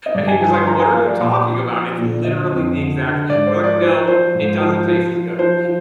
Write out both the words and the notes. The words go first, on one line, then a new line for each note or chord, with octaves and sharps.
And he was like, "What are you talking about? It's literally the exact" we're like, "No, it doesn't taste as good."
D#5
G2 D5
G#5
F3 G#5
C6
F3 A#5
G#5
F3 F5
D5
A#2
F3
F3
A#2
D3 D#5
F2
D3
D3
G#2 D5
C5
F3
D5
F3 C5
F3 C5
G#2
F3
F3
F3
F3 C5
F3